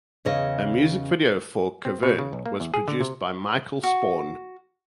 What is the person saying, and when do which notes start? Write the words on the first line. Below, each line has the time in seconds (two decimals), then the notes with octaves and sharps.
A music video for "Cavern" was produced by Michael Sporn.
0.25 E2 C#3 D#5
1.85 C4
2.03 B2
2.19 C#3
2.33 B1
2.46 A#3
2.60 E2
2.74 G#4
2.88 D3
3.01 C3
3.83 F#4